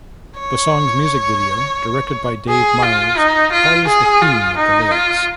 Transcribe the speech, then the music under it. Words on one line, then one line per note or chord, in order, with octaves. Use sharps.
The song's music video, directed by Dave Meyers, follows the theme of the lyrics.
C#5
G#4
F4
D#4
F4
G#4
F4
D#4
F4